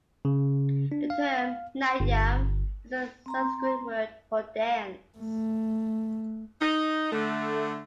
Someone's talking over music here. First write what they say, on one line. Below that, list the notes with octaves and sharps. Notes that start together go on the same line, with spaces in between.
The term "Natyam" is a Sanskrit word for "dance".
C#3
D4
F5
G1
C4 A#5 C6
A3
D#4
D3 A3